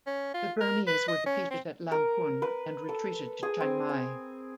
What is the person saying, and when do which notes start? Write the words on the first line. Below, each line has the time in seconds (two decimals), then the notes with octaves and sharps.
The Burmese were defeated at Lamphun and retreated to Chiang Mai.
0.07 C#4
0.34 F4
0.61 A#4
0.87 B4
1.08 D#5
1.26 C#4
1.51 C4
1.92 A#4
2.42 B4
2.89 A4
3.43 G#4
3.60 C4
3.89 G#5